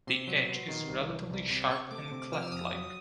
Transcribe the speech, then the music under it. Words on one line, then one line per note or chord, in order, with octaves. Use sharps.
The edge is relatively sharp and cleft-like.
C3 C6
F#3
B3
D#3
C2
E3
C2
C3
C3 C#6
A3 D6
C3
F3 F6
E6
F2 D#6
F#3